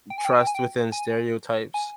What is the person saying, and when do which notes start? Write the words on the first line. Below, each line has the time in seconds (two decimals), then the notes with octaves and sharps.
trust within stereotypes,
0.10 G5
0.18 G#5
0.25 G5
0.32 G#5
0.40 G5
0.47 G#5
0.55 G5
0.92 G#5
1.74 G#5